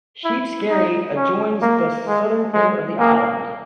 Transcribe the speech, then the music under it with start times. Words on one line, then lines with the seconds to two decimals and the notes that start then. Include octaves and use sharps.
Sheep Skerry adjoins the southern end of the island.
0.24 E4
0.70 D#4
1.16 C#4
1.62 A#3
2.08 G#3
2.54 G#3
2.99 A#3